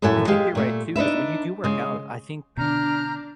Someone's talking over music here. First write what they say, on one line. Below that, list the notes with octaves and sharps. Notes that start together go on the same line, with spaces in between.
I think you're right too, cause when you do work out, I think,
F#2 A2 A4 E5 F#5 G#5
G#3 G4 F5
A#2 A3
D4 D#4 B4 E5
C#3 G#3
B2 D3 D4 A#5 F6 G6